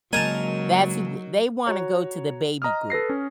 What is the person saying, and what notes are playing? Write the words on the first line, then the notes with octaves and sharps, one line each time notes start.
that's who they wanna go to the baby group.
C#3 F#3 G#3 A#3 D#4 A#4 G#5 A5
F#4 C#5 A#5
D#5 A#5 D#6 F6
A4 B4 A#6 C7
C#4